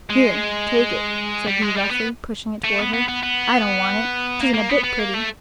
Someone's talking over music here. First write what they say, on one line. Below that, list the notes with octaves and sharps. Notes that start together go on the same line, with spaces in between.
"Here, take it," said he roughly, pushing it toward her; "I don't want it; 'tisn't a bit pretty."
G#3
G3
G#3
G3
B3
A3
B3
B3
B3
B3
A#3
A#3
B3
B3
A#3
A3